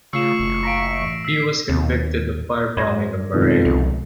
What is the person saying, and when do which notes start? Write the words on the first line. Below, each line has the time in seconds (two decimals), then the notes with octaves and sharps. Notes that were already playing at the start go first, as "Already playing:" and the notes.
He was convicted of fire-bombing a marae.
0.13 C#3 A3 F4 F5 C#6 E6 C7 E7
0.39 F#1
0.63 F5 A#5 A#6 B6 D7
0.98 A2 E3
1.25 E6 B6 C7
1.69 D#2
2.77 F#2 D5 G#6 A#6
3.33 F2 G#2 B2 D#3
3.65 C2